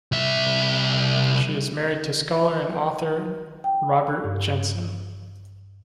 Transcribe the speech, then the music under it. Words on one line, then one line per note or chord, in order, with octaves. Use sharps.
She is married to scholar and author Robert Jensen.
C2 E5
G5
G2